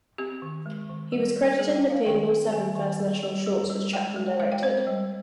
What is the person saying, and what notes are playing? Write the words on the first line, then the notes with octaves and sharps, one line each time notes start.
He was credited and appeared in all seven First National Shorts which Chaplin directed.
C4 G4
D#3
G#3
D#3
G3
G3
G3 G#4
G5
C#4
F5
D#3 G5
C4
D#3 G#5
D#3
G3
G3
G3
G3
G#3 G5
G#3
G#3 F5
G5
C4 C5
G3